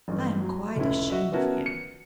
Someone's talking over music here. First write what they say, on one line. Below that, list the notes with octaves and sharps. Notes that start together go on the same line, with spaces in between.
I am quite ashamed of him.
A1 G2
F#3
F1 C#2 C#4 E4
F#4 D#5 E5
B3 C#4 E4 F#4 A#4 A5
C#7